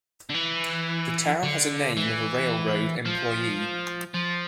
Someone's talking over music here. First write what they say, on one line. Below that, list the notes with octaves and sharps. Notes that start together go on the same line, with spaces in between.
The town has the name of a railroad employee.
D3
E3
D3
E3
F3
F3